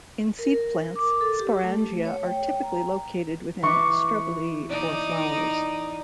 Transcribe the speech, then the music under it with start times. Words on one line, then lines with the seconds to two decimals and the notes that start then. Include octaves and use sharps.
In seed plants, sporangia are typically located within strobili or flowers.
0.39 A#4
0.54 A#4
0.96 D6
1.21 A4
1.39 G4
1.64 A3
2.05 C#5
2.26 G5
2.63 A#5
3.63 E3 C#6 D6
4.70 D#4 D5